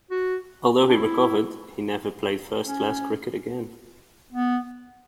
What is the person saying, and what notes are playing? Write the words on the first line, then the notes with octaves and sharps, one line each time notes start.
Although he recovered, he never played first-class cricket again.
F#4
D4
E4
C#4
B3